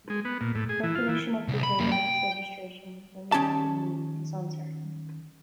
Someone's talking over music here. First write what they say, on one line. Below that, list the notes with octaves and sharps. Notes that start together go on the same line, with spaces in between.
Recognition of the trademark's registration within the European Union is uncertain.
G#3
B3
A#2
A2
G#4
E3
F4
E3
C2
B5
F#2 A#3
G5
D#3 C#4 G4 A5